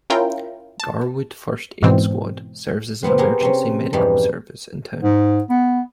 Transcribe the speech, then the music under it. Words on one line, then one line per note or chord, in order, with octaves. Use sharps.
Garwood First Aid Squad serves as the emergency medical service in town.
C#4 E4 F4 A#4 G5
A5
G#2 B2 E3 C4
A#2 F3 B3 C4
B3 G4 G#4 A#4 C5
C3 C4 C#4
F2 G#2 B2 E3 F3 G3
G#2
B3